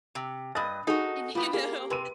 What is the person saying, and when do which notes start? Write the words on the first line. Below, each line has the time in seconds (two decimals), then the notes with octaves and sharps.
y you know
0.15 C3
0.55 G2 D#5 D#6 F#6 A6
0.87 D#4 F#4 G#4 A4
1.35 G3 B3 F4
1.53 A#3 G4 G#4 A#4
1.90 C3 B4 C6 D#7